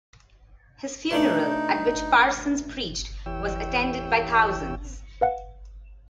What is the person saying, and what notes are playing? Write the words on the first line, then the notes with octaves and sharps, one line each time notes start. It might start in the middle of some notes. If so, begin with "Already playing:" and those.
His funeral, at which Parsons preached, was attended by thousands.
B2 A3 D4 D#4
E2 E3 G4 C#5 G5 E6
B4 F5 F#5